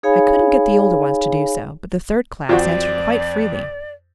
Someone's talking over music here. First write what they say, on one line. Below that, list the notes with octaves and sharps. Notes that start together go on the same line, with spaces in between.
I couldn't get the older ones to do so, but the third class answered quite freely.
D#4 G#4 C#5 F5 G#5 B5
F2 F4 F#4 C5 D5 G5